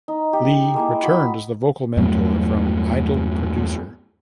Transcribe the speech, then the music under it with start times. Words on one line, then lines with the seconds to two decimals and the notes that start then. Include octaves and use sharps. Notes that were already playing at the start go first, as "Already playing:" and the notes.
Li returned as the vocal mentor from "Idol Producer".
0.08 D#4
0.33 G4
0.74 G#3 A#3 E4
1.02 F#4 B5 D#6 E6
1.97 E2 G2 F#3 A3